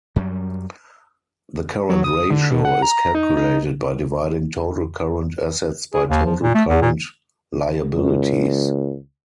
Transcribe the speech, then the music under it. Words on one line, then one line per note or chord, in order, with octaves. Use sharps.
The current ratio is calculated by dividing total current assets by total current liabilities.
F#2 F#3 G3
F#3
D#6
D3
B2
F#5
A#5
D#4
D#4
G#4
D#2
F3
A#2
A3
E2
A#2
C#2